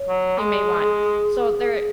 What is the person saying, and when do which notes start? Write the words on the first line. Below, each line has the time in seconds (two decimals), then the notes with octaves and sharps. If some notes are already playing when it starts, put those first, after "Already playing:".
you may want. So there
Already playing: C#5
0.09 F#3
0.38 G#3 G#4